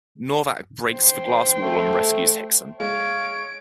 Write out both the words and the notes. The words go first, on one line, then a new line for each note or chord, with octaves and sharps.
Novak breaks the glass wall and rescues Hickson.
C5 G5
A3
G#3 C#5 F5 D7